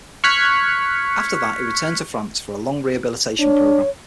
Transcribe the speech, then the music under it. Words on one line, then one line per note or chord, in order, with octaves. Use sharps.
After that he returned to France for a long rehabilitation programme.
C#6 F6 F#6 G#6 B6 C#7
D4 C#5